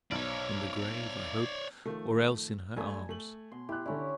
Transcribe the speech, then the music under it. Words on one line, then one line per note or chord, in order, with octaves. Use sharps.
In the grave, I hope, or else in her arms.
B1 C#5 D5
D#3 F3 A3
G2 A3 G#5
A3 F#7
B2 C6
E4 G4 F#6
D3 C#4 D4 E4